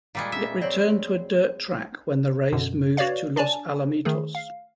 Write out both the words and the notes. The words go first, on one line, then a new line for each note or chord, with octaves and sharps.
It returned to a dirt track when the race moved to Los Alamitos.
A#2 G3 G#3
E5
C4 C#5 D5
F#2 B2 D3
F#4 B4 C#5 D5 F5
D4 D5 G#5 A5
D#3 A3 G#4
F5